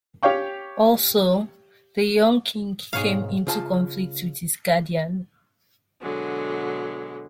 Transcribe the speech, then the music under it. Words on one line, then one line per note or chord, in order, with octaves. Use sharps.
Also the young king came into conflict with his guardian.
G4 C#5 F5 G5 C#6
B1 G#2 G#4 C#5 F5
C#3 F4 A5
B2 D3 F#3 G#3